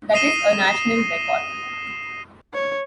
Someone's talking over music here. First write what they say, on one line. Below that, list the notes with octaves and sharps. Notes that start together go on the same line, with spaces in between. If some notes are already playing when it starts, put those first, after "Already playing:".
That is a national record.
D#6 A#6 C7 D#7 E7 G7
C#5